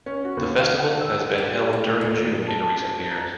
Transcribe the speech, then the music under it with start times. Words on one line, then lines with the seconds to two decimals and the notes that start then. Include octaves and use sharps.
The festival has been held during June in recent years.
0.06 C#4
0.25 F#4
0.37 D#2
0.59 F5
0.80 F#5
1.01 E6
1.38 G4
1.73 A3
2.01 D#2
2.47 A5
2.81 C5
3.10 A#5